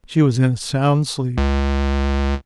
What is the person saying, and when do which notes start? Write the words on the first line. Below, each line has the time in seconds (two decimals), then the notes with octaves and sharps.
She was in a sound sleep.
1.38 C#2